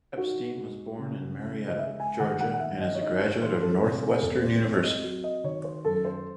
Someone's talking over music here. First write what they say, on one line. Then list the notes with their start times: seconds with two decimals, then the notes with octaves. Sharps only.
Epstein was born in Marietta, Georgia and is a graduate of Northwestern University.
0.17 D#4 F#4
0.57 G#3
0.99 C#3
1.39 C#3
1.68 D#5
1.79 G#3 E5
2.00 G#5
2.20 D#3 F#5
2.40 F#5
2.54 F#5
2.60 G#2 E5
2.80 D#5
2.95 C#5
3.01 D#4 D#5
3.21 C#5
3.42 E3 C5
3.62 A4
3.82 C3 C5
4.02 G#4
4.22 E2 A4
4.43 C5
4.63 C4 C#5
4.83 D#5
5.03 F#3
5.24 D#5
5.44 D#3 C#5
5.64 C5
5.85 F#2 A4
6.05 C5